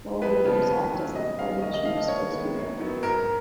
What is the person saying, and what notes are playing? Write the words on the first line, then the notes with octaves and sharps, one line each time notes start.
Floor leaders act as the party chief spokespeople.
F2 B4
C#3 F3 B3
D#2
D#3 F#3 C#4
B2 D#5
G#3 C#4 F5
D#2 D#5
D#5
C#3 F3 F5
D#5
D#2 C#5
D#3 G#3 B3
F#2
D#3 F#3 B3
G#2 A#4